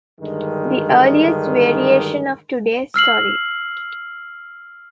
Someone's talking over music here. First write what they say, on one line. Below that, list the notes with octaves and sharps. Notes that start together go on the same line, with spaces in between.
The earliest variation of today's Sorry!
G2 D3 D#3 G#3
E6 F6 C7 F#7